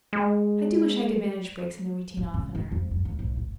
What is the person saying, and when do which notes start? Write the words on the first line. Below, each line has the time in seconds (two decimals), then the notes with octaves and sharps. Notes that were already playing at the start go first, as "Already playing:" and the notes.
I do wish I could manage breaks in the routine oftener.
0.13 G#3
2.17 G3
2.34 C#3
2.55 C#2
2.72 F2
2.91 F#2
3.05 D#2
3.19 B1
3.36 F#1